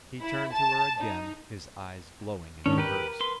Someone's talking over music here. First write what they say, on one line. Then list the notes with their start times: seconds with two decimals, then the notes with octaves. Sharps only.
He turned to her again, his eyes glowing into hers.
0.21 E4
0.52 A5
0.97 D#4
2.66 G#2 D#3 C#4 D4
2.78 G4 A#4 B4
3.20 B4 C6